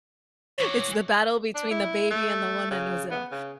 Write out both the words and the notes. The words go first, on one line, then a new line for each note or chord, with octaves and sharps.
It's the battle between the baby and the one that knows it all.
E3 F#4 C#5 C#6 D6
D4
E4
A3
C#3
B3
C#3